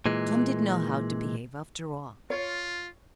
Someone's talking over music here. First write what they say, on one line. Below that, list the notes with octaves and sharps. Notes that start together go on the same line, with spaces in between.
Tom did know how to behave, after all.
A#2 E3 G#3
F4 C#5